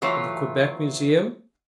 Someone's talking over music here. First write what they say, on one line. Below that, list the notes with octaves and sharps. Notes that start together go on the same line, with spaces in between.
"In the Quebec Museum?"
E3 F#3 A3 F4 C5